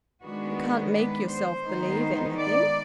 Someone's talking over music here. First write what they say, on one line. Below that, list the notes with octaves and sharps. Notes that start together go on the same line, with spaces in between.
You can't make yourself believe anything.
D#3 G#3 B3 D4 F#4
B4
C5
D#3 G#3 B3 D#4
D5